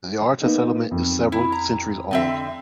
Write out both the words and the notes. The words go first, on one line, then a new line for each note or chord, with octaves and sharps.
The Arta settlement is several centuries old.
A#3 B3 D#4
F2
E4
A#5
D3 C4 E5